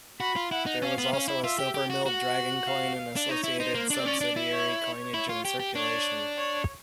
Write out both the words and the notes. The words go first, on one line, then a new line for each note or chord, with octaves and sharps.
There was also a silver milled dragon coin and associated subsidiary coinage in circulation.
F#4 B5
F4
E4 F#5
D#4
C#4 F5
B3
C#4
E4
F4 E5
G4
G4
F#4
F#4 F#5
F5
D4
D#4 C#5
E4
D#4 C5
A#3
D4 D5
C4
C#4
D4
E4
C#5
C#5
E4
F4
G4
G4
D4 C#5
C#5